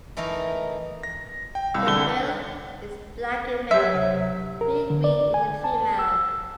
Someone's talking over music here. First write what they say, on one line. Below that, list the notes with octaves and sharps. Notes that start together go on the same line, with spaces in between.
The bill is black in male, pea-green in the female.
E3 A3 D#4 E4 A#4
A#6
G5
C2 F5 E6
C2 D3 G7
F#3 G4 E5 C6
D2 C3
A#4
D3
D5
G#5
A5
E6